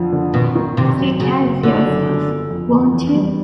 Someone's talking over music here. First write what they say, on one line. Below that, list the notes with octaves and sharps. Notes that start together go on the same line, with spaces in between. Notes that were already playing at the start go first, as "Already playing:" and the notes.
Take care of yourself, won't you?
Already playing: F2 D3 F3
D3
G#1 B2
D#3
G#1 C3
F#2
C#3 F#3
F#1
F#1 D3
F#2
G1
G1
F2
G1
E2
G3